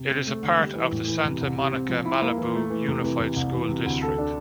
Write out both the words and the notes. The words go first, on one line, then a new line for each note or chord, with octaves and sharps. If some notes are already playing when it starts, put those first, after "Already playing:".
It is a part of the Santa Monica-Malibu Unified School District.
Already playing: C3
C4
A3
D3
G3
E3
A2
E3
C3
C2
G4
C4
F3
E4
A#3
E3
A3
E3
C3
E3
C3
C2
E3
C3
D2
A4
D4